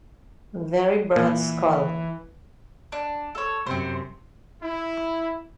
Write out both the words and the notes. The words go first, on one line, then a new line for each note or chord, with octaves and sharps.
Very broad skull.
A#2 E3
D4
A4 C#5
F#2 C3 C4 C5
E4